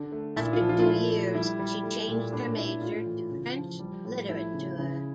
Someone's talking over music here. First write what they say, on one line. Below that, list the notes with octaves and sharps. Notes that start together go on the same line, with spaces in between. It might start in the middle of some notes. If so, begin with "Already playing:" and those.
After two years she changed her major to French literature.
Already playing: D3 D4
A3
A#2 E4
F4
F3
F4
F4
A3 E4
A3
G3 E4
G3
A3
A#2
A2 D4
A2 E4
A2 F4
E3
C#3
F3
G3
A2
F3 E4
C#3
C#3